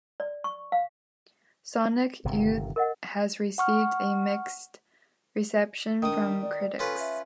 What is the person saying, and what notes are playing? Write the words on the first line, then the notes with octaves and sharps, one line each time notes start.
"Sonic Youth" has received a mixed reception from critics.
D5
C#6
F5
G1 C3 D#3
A#4 D#5 F#5
F#5 C#6 F6
D#3 D4 D#6
D5
C#4 F4 A4 B4
E5